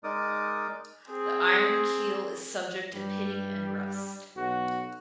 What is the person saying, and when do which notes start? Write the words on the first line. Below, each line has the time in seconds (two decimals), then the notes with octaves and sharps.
The iron keel is subject to pitting and rust.
0.04 G#3 D#4 A#4 D5 D6 D#6
1.10 C4 G#4
2.94 G2 G3
4.37 B1 F#4